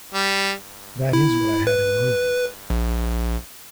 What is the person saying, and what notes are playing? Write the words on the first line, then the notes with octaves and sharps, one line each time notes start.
That is what I had in mind.
G3
E4
B4
A#1